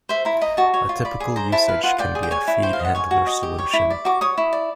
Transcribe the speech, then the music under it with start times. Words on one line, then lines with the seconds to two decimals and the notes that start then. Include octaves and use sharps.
A typical usage can be a "feed handler" solution.
0.09 C5 E5
0.25 E4 A#5
0.42 D#5 A#5
0.57 F#4 A5
0.74 C#5
0.89 F4
1.05 D5 B5
1.20 G#4
1.36 C5 A#5
1.52 E4 A5
1.68 B4 F5
1.83 F4 F#5
1.99 D5 G5
2.15 G#4
2.23 G5
2.31 C#5 G#5
2.47 E4
2.63 C5 G5
2.73 F5
2.80 D#5
2.85 F#5
2.95 C#5 G#5
3.11 F#4
3.26 D#5
3.43 G4
3.58 C#5
3.73 E4
3.90 D5
4.05 F#4 D6
4.21 C#5 D#6
4.38 E4
4.53 D5